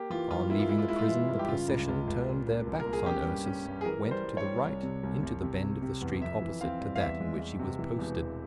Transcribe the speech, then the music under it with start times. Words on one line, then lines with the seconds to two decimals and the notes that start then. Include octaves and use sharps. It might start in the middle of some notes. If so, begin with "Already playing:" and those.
On leaving the prison, the procession turned their backs on Ursus, went to the right, into the bend of the street opposite to that in which he was posted.
Already playing: A#3 G4
0.10 E3 F4
0.30 G2 F4
0.50 A#3 E4
0.60 F4
0.69 G#3 E4
0.79 F4
0.88 G#3 E4
0.99 F4
1.08 E3 E4
1.28 G2
1.39 G4
1.48 C#3 F4
1.68 C#2
1.89 C#2
2.08 C#2
2.27 A#2
2.47 A#3
2.67 C2
2.80 A#4
2.87 A#3
2.93 G#4
3.06 C#4 G4
3.26 G2
3.46 C#4
3.65 G2
3.81 G#4
3.85 E3 A#4
4.05 G3
4.11 C5
4.24 G3
4.37 C#5
4.44 G3
4.64 C2
4.83 C3
5.03 C2
5.23 C2
5.42 C3
5.62 C3
5.82 C3
6.02 E2
6.21 F2 E5
6.42 E3
6.61 C4 F5
6.81 G3
6.96 F5
7.00 E2 E5
7.20 G#3
7.40 G#3
7.60 C3
7.79 E3
7.99 E1
8.18 E1